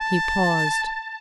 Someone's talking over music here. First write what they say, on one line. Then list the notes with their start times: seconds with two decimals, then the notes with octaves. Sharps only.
He paused.
0.01 A5